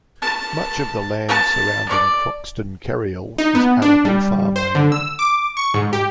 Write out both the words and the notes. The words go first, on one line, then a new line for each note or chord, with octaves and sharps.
Much of the land surrounding Croxton Kerrial is arable farmland.
A5
A5
D5
D#4
B3
D4
G3
C5
D3
E6
D6
C#6
G#2
G4